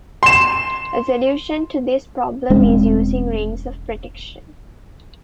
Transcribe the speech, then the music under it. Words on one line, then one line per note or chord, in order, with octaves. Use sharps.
A solution to this problem is using rings of protection.
C6 E7
E1 G#3 C4 C#4